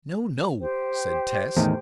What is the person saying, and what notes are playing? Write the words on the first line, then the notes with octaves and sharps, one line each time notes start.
"No, no!" said Tess.
G4 C5 G5
E2 A2 D#3